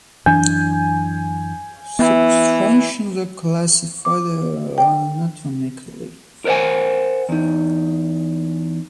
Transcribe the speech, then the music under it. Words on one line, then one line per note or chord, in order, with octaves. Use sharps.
Sequestrations are classified anatomically.
F#2 E3 D4 G#5 G6
E3 B3
D6
G5
A#4 C5 C#5 F#5 G#5
E2 D#4